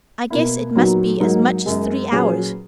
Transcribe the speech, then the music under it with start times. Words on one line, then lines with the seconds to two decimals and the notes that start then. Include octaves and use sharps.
I guess it must be as much as three hours.
0.30 B2 A#3 E4
0.76 A#2 F#3 B3 D#4 F#4
1.20 G#2 F#3 A#3 D#4 A#4
1.66 F#2 D#3 G#3
2.12 A#2 F#3 C#4 G#4 B4